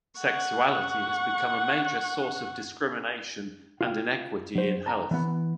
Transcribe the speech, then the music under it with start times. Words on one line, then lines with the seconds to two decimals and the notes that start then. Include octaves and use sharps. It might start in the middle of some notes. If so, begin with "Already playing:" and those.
Sexuality has become a major source of discrimination and inequity in health.
0.20 F#5 C#6
3.81 F4 F5 G5
4.55 F#3 C5
4.86 A5 A#5
5.11 E3 B3